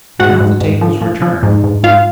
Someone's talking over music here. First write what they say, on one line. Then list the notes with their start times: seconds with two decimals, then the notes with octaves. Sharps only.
Now the tables were turned.
0.20 G#2 F#4 F#5
0.40 G#2
0.61 G#2
0.81 F3
1.01 F3
1.22 F3
1.43 G#2
1.64 G#2
1.83 G#2 F4 F5